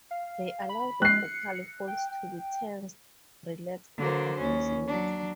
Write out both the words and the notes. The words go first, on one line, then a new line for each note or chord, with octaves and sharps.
They allow the vocal folds to be tensed, relaxed, or approximated.
F5
B5
G#3 F#6 C7
C#7
G5
D3 F#3 A#3 C5
D#2 C#4
F#3 D4